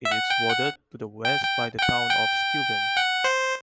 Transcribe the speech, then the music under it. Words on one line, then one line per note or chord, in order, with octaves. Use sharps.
It is bordered to the west by the town of Steuben.
E5
F#5
G5
F#5
G5
G5
G5
F#5
G5
F#5
C5